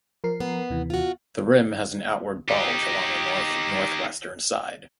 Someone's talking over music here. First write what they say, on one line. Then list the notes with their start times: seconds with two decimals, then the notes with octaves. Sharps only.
The rim has an outward bulge along the north-northwestern side.
0.24 F3 A#4 C7
0.40 B3
0.70 D#2 C3 E3
0.90 F4 F#4
2.48 D#4 G4